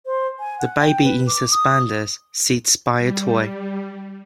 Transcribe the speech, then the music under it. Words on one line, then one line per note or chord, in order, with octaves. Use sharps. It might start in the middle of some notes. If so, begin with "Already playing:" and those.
The baby in suspenders sits by a toy.
C5
G#5
F#5
G5
B4
D6
D#6
G3